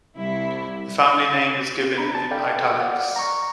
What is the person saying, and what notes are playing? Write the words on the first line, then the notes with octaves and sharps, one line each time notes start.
The family name is given in italics.
C2 E4
D4 A#5 B5
A5
A4 D5 F5 G5
D5 F5 F#5
A#5 C#6